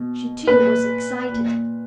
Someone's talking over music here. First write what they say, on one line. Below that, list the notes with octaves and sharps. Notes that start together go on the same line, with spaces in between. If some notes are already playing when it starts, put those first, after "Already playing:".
She, too, was excited.
Already playing: B2
A#2 B4
A#2